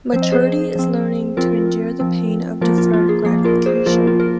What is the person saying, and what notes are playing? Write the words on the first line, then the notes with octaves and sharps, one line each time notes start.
Maturity is learning to endure the pain of deferred gratification.
F3 C4 C5
D#5
G#4 C5
F3 C4
F3 C4 F4 A#4
F3 C4
F3 A#3 F4 A#4
F4
F4
G#4
F3 A#3 G#4
F4 A#4
G#4 C5
F3 A#3 F4 A#4
F4
A#4